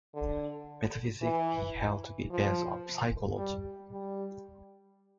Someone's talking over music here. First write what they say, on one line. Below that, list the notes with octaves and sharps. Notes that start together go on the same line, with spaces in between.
Metaphysics he held to be based on psychology.
D3
E3
F3
G3
G3